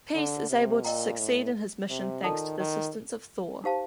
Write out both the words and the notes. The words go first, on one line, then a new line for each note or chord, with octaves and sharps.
Peace is able to succeed in his mission thanks to the assistance of Thor.
D3
C3
A#2 A#4 D#5 G5 A#5
A2
C3
D#3 F4 A4 D5 A5
D#3
D#4 G4 C5 F5 A5